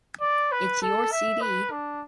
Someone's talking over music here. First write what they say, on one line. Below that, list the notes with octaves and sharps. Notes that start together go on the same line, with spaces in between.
It’s your CD.
D5
B4
A4
E5
B4
D4